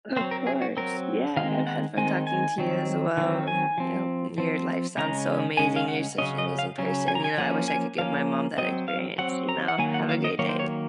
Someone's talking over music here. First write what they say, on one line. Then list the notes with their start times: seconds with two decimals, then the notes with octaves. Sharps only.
Of course, yeah, I've had fun talking to you as well. Yup, your life sounds so amazing, you're such an amazing person. You know, I wish I could give my mom that experience, you know? Have a great day.
0.16 C4 C5
0.21 F#3
0.31 A#4
0.47 G#4
0.62 F#4
0.77 F#3 C4 A#4
1.37 D#3 G#3 C4 F5
1.67 F#5
1.97 D#3 G#3 C4 G#5
2.27 G#5
2.58 D#3 F#3 C4
3.17 D#3 F#3 C4
3.48 G#5
3.78 F3 C4
4.38 F3 C4
4.97 C#3 G#3 C#4 A#5
5.57 C#3 G#3 C#4 G#5
5.76 F5
5.88 F#5
6.18 C#3 F#3 C#4 D#5
6.38 D#5
6.59 F5
6.78 C#3 F#3 C#4
7.08 G#5
7.15 A#5
7.24 G#5
7.38 F3 A#3 C#4 F#5
7.68 G#5
7.98 F3 A#3 C#4 F5
8.58 F#3 C4 D#5
8.88 F5
9.18 F#3 C4 F#5
9.49 A#5
9.68 F#5
9.78 D#3 F#3 A#3 G#5
9.94 F#5
10.09 F5
10.24 D#5
10.39 D#3 F#3 A#3 C#5
10.49 C5
10.59 C#5